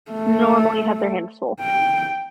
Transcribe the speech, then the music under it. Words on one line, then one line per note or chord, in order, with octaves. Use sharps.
normally have their hands full,
A3
G5